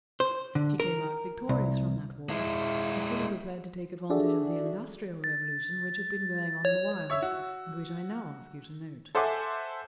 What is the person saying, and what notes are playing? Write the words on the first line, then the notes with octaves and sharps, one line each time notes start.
She came out victorious from that war, and fully prepared to take advantage of the industrial revolution which had been going on the while, and which I now ask you to note.
C5
D3
A#4
C2
G#3 E4
D4 F#4 G#4 A4 D5 E5
A6
C#5
C#5 E5 E6
F#4
A4 C5 E5 F#5 G#5 D6